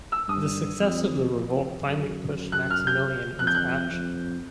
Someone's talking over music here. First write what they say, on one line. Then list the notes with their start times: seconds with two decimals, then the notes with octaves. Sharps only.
The success of the revolt finally pushed Maximilian into action.
0.12 E6
0.28 G2 D#6
0.80 F2
1.32 F2
1.84 F#2
2.52 F#6
2.70 F6
2.87 G6
3.39 F2 F#6
3.47 G6
3.55 F#6
3.90 F2